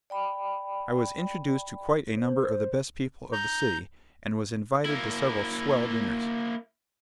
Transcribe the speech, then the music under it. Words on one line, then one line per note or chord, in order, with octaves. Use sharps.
I was introduced to quite a number of the best people of the city, and was invited to several "swell" dinners.
D5 G5 B5
C5
A#5 G6
A#3 E4